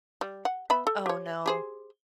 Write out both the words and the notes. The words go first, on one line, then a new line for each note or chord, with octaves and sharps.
Oh, no.
G3
F#5
B3 E5 B5
A4
G4 C#5
G4 G#4 C5